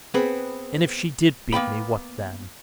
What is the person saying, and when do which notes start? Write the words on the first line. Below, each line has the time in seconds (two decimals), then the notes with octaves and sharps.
And if she did beat me, what then?
0.14 B3 C4 G#4 B4
1.52 A#3 B3 G5 B5